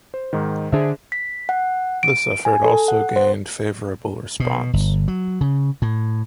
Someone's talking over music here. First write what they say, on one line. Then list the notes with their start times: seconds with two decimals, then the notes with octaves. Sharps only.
This effort also gained favorable response.
0.14 C5
0.33 G#2 D#3
0.72 D3 D4 G#4 C5 E5
1.12 B6
1.49 F#5
2.03 D7
2.45 G#5
2.65 A4
2.88 F#5
3.16 C5
4.40 B2
4.73 G1
5.08 F#3
5.41 C#3
5.82 A2